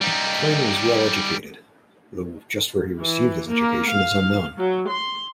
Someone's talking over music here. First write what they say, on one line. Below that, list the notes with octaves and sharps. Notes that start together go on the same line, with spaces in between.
Clyn was well educated, though just where he received his education is unknown.
G3 D#4
E3
A#3
F5
F#3
C6